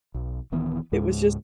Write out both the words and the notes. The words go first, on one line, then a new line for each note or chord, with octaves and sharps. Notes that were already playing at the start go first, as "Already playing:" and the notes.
it was just
B1
D#1 D#3 E3 B3
C#2 G#2 G#3